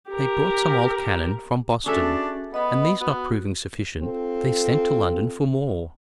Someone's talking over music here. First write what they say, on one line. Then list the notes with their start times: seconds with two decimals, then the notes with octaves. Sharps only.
They brought some old cannon from Boston, and these not proving sufficient, they sent to London for more.
0.10 G4 A#4
1.86 C#4 D4 F#4 G#4 A4 E5
2.54 B3 D#5 B5
3.01 B3 F#4
4.01 C4 F4 A4